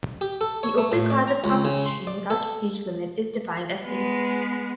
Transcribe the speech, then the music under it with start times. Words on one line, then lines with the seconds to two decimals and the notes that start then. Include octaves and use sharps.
The open class of competition without age limit is defined as "senior".
0.21 G4
0.41 A4
0.63 C#5
0.78 A3
0.92 A2
1.10 D5
1.28 A#5
1.44 C#2
1.65 C#3
1.86 C6
2.07 D5
2.30 A4
3.85 G#3 B3